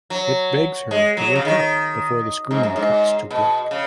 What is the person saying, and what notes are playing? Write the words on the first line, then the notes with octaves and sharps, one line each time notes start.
It begs her to wake up before the screen cuts to black.
F#3
G#3
F#3
C#3
D#3
G#2
F#2
G#2
B2
C#3